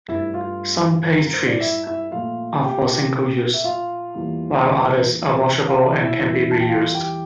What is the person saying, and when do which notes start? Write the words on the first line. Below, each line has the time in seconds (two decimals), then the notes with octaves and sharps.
Some pasties are for single-use, while others are washable and can be reused.
0.08 G2 F3 A3 E4 E5
0.34 F4 F5
1.21 A#4
1.34 C5
1.47 D5
1.60 E4 E5
1.87 E4 E5
2.11 A#2 F3 A3 F4 F5
2.63 G4 G5
3.54 E5
3.64 F4 F5
4.15 E2 E3 G3 A#3
5.68 F5
5.78 E5
5.89 D5
5.99 E4 E5
6.18 E2 E3 G3
6.51 A5
6.60 G5
6.69 F4 F5
6.95 G4 G5